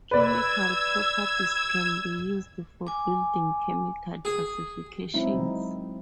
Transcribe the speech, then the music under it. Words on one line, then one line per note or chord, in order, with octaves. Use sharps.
Chemical properties can be used for building chemical classifications.
B4 D5 E6 G#6
G#5 D6
G#4
F#3 G#3 C4 D#4 E4